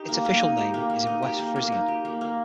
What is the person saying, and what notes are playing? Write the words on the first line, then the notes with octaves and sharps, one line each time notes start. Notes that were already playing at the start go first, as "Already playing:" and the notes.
Its official name is in West Frisian.
Already playing: D#4 G4
A#3
A#3
D#4
G4
A#3
A#3
D#4
G4
A#3
A#3
D#4
G4
A#3
A#3